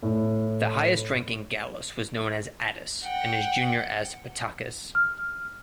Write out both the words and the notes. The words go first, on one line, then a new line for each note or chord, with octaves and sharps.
The highest ranking Gallus was known as "Attis", and his junior as "Battakes".
A2
F#5 G5
F6